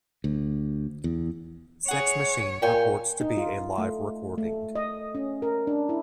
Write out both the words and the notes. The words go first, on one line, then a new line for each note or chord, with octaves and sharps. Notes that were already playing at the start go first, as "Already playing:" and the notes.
"Sex Machine" purports to be a live recording.
D2
E2
G#4 C#5 F#5
A#2 G5 G#5
D#4
F4
A3
A3
D#5
C#4
A#4
D4
E4